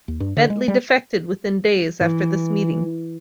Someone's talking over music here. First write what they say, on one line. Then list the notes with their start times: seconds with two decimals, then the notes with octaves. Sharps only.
Bentley defected within days after this meeting.
0.08 D#2
0.20 G2
0.37 D3
0.50 G#3
0.68 G3
2.01 E3